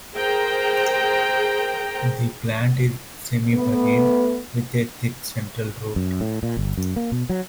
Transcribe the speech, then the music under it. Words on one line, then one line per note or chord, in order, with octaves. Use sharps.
The plant is semi buried with a thick central root.
G#4 A#4 C5 G5 A#5
A3 B3
F#2
A2
A#2
G1
F#2
A#3
B2
F#3